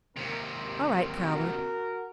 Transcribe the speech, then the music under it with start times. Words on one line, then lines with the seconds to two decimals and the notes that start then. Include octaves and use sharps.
"All right, Prowler."
0.16 D#2 C3 C4 A#4
1.27 F#4 A#4